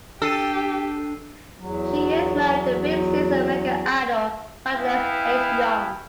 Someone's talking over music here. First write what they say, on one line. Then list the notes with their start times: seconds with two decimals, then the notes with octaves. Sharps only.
She is married to fifth season "American Idol" finalist Ace Young.
0.22 D4 G4 A4 E6 C7 D#7
1.59 E2 F#3
4.73 B3 E4 G#4 B4 F5 G5